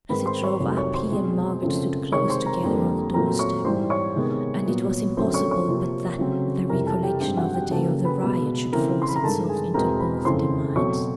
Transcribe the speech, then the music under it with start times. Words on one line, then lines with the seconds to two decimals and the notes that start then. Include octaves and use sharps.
As it drove up, he and Margaret stood close together on the door-step, and it was impossible but that the recollection of the day of the riot should force itself into both their minds.
0.09 G#2 D#3 G#3 C4 B4 B5
0.26 C5 C6
0.43 C#5 C#6
0.60 F2 C3 D#3 F#3 A3
0.77 C#5 C#6
0.94 C5 C6
1.12 B2 G#3 C4
1.61 F#2 C#3 F3 A3 C4
2.12 C3 D#3 G#3 C4 C#5 C#6
2.29 C5 C6
2.46 A#4 A#5
2.63 F2 D3 G3 A#3
3.14 A#2 F#3 A3 C4 A#4 A#5
3.39 C#5 C#6
3.65 G#2 E3 G3 C5 C6
3.90 C#5 C#6
4.15 C3 D#3 G#3 B3
4.66 A#2 F#3 B3
5.17 F#2 D3 F#3 A3 C4 C5 C6
5.34 C#5 C#6
5.51 C#5 C#6
5.68 C3 F3 A#3
6.18 C#3 F#3 A3 C4
6.69 F2 C3 E3 G3 A#4 A#5
6.86 A4 A5
7.03 G4 G5
7.20 G2 D#3 G#3 C4 G4 G5
7.37 F#4 F#5
7.54 G4 G5
7.71 C#3 F#3 A#3 A4 A5
8.05 B4 B5
8.22 B2 G#3 B3
8.72 C#3 E3 A3 C4 A#4 A#5
9.02 C6
9.09 B5
9.16 A#5
9.23 G2 D#3 G#3 A4 A5
9.49 G#4 G#5
9.74 E2 B2 G#3 C4 A#4 A#5
10.00 B4 B5
10.25 F2 C#3 E3 A3 C4 C5 C6
10.76 B2 F#3 A3 C4 C#5 C#6